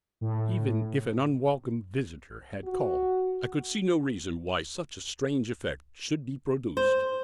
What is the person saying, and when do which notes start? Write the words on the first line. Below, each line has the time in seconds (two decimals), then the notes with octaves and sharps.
Even if an unwelcome visitor had called, I could see no reason why such a strange effect should be produced.
0.21 A2
2.65 F#4
6.77 C5